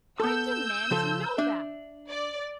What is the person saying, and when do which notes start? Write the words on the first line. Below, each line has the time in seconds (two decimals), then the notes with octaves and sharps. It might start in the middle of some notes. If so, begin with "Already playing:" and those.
"I demand to know them!"
0.20 B3 A4 E6 G6
0.91 C#3 F3 A4
1.38 D4 E5
2.09 D5